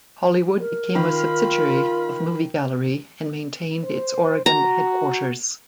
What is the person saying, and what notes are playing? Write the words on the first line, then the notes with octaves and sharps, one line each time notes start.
Hollywood became a subsidiary of Movie Gallery and maintained its Oregon headquarters.
A#4
D#3 F4 B5 F6
C5
F#4 A#5